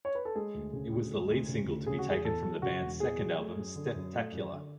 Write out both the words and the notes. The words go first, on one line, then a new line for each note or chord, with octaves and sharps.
It was the lead single to be taken from the band's second album "Steptacular".
C#5
B4
A4
G#3 G#4
D2
C#3
D2
G#3
D2
C#3
D2
C#3 G#4
F#4
E1 G#4
E2 A4
F#3
C#3 F#4
E1
E2 G#4
F#3
A3
F#2
D3
F#2
A3
F#2
D3